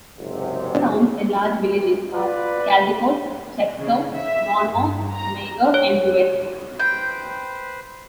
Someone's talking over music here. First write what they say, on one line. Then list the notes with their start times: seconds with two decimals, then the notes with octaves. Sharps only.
Other towns and large villages are Caldicot, Chepstow, Monmouth, Magor and Usk.
0.19 F#1 G#2 C3
2.14 F4 B4 D5
3.77 C#3
4.16 E5
4.74 G2
5.14 A#5
5.74 C#5
6.79 B4 C5 G5